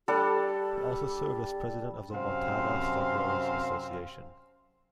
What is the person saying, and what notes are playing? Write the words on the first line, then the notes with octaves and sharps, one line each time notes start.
He also served as President of the Montana Stockgrower's Association.
G3 D4 G4 A4
F#2 C3 C4 F5 C6